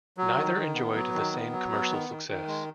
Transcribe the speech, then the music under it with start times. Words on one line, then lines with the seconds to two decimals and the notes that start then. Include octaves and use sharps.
Neither enjoyed the same commercial success.
0.17 F#3
0.37 D#3
0.56 D#3
0.75 B3
0.95 F#3
1.14 D#3
1.32 B3
1.52 F#3
1.71 B3
1.91 D#3
2.09 D#3
2.29 D#3
2.47 G#3